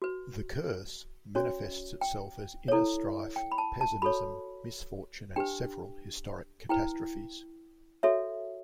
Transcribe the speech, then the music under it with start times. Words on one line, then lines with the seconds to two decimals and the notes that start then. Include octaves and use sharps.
The "curse" manifests itself as inner strife, pessimism, misfortune and several historic catastrophes.
0.02 F#4 B4
1.35 C#4 F#4 C#5
2.01 G5
2.68 E4 A4 C#5
3.36 G5
3.52 B5
3.58 A5
3.81 A5
4.02 F#4 A4 C#5 B5
5.36 D4 G4 B4 G5
6.69 E4 B4 G5
8.03 F#4 A4 C#5 E5